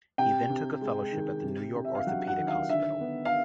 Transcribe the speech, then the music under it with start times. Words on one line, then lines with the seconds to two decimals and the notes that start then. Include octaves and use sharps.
He then took a fellowship at the New York Orthopedic Hospital.
0.18 C3 G5
0.50 C3
0.82 G#3
1.12 D#3
1.44 C3
1.75 C3
1.85 E5
1.95 F5
2.07 F#3 F#5
2.27 F#5
2.38 D#3
2.48 F5
2.69 D3 E5
3.01 B3
3.25 F5